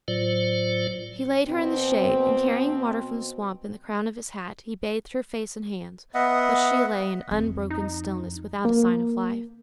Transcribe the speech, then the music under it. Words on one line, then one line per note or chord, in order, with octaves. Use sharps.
He laid her in the shade, and carrying water from the swamp in the crown of his hat, he bathed her face and hands; but she lay in unbroken stillness, without a sign of life.
A2 F#3 F4 C5 D5
B2 C4
B3 D#5 E5 F#5
F2
D#4
A#3